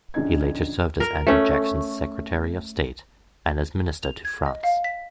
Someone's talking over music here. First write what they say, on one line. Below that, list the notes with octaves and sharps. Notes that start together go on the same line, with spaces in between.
He later served as Andrew Jackson's Secretary of State and as Minister to France.
A#1 D3 C#4 D#4 G#6
A#4
A3 C#4
F7
G#6
D#5
F5
B6